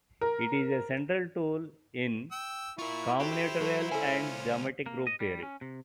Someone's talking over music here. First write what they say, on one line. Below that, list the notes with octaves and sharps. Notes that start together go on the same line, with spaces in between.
It is a central tool in combinatorial and geometric group theory.
A#4
G5 E6
E4 F4 A#4 C#6
F#4 G4 A4 C5
F#3 F#4 A4
C#2 C#4 F4 A4 C5 G#5
A#3
D#5
G3
C#4
C3